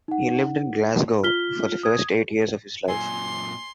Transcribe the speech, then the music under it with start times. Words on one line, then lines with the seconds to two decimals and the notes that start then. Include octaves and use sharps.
He lived in Glasgow for the first eight years of his life.
0.08 D#4 F#5
1.23 F4 F6 B6 G7
1.83 D#6 G#6
2.88 F#2 A#2 G#5 C6